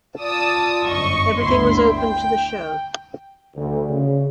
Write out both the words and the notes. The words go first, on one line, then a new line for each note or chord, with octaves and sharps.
Everything was open to the show.
F4 D5 A5 D#6 E6
G1 F#2 D#5 C#6
G1 D2 E4 C6
G5
D2
C#3